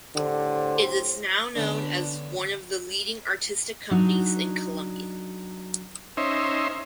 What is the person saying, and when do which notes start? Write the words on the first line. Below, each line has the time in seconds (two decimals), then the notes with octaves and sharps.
It is now known as one of the leading artistic companies in Colombia.
0.15 A2 D3 G4 C5
1.55 D3 B3 C#4 D4
3.91 F#3 D4 D#4
6.17 C#4 D#4 C5 E5